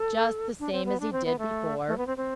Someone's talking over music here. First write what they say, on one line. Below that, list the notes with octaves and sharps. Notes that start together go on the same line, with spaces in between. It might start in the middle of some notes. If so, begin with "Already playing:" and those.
"Just the same as he did before?"
Already playing: A4
D4
C4
B3
D4
C4
B3
A3
A3
B3
C4
C4